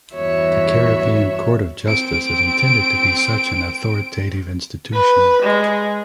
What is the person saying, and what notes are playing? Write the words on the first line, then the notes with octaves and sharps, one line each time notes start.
The Caribbean Court of Justice is intended to be such an authoritative institution.
E2 G2 F#4 C#5 E5
C4 D7
B4
G#3